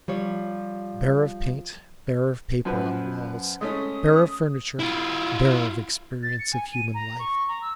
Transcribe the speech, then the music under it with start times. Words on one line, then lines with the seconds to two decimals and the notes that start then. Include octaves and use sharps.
Bare of paint, bare of paper on the walls, bare of furniture, bare of experience of human life.
0.08 F3 G3 C#5
2.65 F#2 F3 B4
3.61 G#3 A3 C#4 D#6
4.79 E4 F4
6.23 A6
6.39 C#7
6.53 G#5
6.72 D#7
6.94 A#5
7.19 C#6
7.48 A#5
7.62 E6